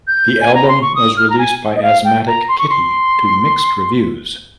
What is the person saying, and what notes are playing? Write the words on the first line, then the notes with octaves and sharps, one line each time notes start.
The album was released by Asthmatic Kitty to mixed reviews.
G6
G#5
A#5
C6
C#6
D#6
F6
A#5
G#5
D#5
F5
G5
A#5
C6
C#6
C6